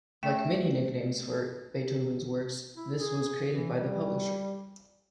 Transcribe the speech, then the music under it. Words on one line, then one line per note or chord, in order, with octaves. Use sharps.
Like many nicknames for Beethoven's works, this was created by the publisher.
A3 G5
E4
G#4
E3
G3